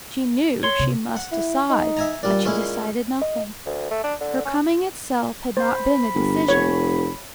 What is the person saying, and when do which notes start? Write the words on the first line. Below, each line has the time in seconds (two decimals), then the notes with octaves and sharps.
She knew she must decide, but she decided nothing; her coming itself had not been a decision.
0.63 C#5 C6
0.79 C3
1.16 F#5
1.32 E4
1.70 D#4
1.97 E5 G#5 A#5
2.23 A#2 G3 D4
2.45 G#3 C#4 E4
3.22 D#5
3.66 D2
3.91 A3
4.04 D4
4.21 D3
4.45 C#4
5.57 C5 B5
6.15 G1
6.48 F1 C#5